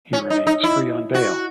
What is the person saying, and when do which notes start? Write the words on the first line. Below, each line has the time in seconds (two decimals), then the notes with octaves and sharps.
He remains free on bail.
0.13 C#4
0.30 D#4
0.47 D#4
0.64 E4
1.14 F#4